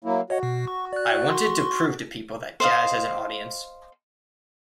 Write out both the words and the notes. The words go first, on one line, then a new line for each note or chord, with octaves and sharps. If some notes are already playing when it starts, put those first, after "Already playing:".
I wanted to prove to people that jazz has an audience.
F#3 A#3 E4
F#4 C#5 D#5 F#5
B2
C#6
D5 F#6
C6 C#6
C5 D#5 F5